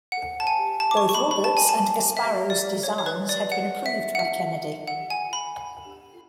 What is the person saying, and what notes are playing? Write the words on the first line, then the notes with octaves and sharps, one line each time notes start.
Both Roberts' and Gasparro's designs had been approved by Kennedy.
F#5
A5
G#5
A5
D6
C#6
C#6
B5
B5
A5
G#5
A5
E5
D5
C#5
C#5
B4
D5
F#5
E5
F#5
E5
F#5
G#5
B5